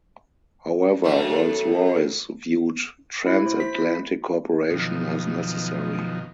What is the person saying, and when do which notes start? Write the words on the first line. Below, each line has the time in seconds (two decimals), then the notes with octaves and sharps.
However, Rolls-Royce viewed transatlantic cooperation as necessary.
1.04 F#2 A3
3.26 E4
3.46 C5
3.60 B6
3.75 E4
4.70 F#2 B2 D#3 F3